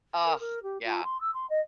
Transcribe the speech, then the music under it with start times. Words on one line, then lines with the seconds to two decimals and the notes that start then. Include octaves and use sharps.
Ugh, yeah.
0.25 A#4
0.40 A#4
0.62 G4
0.83 F4
1.03 C6
1.20 E6
1.34 C6
1.49 D#5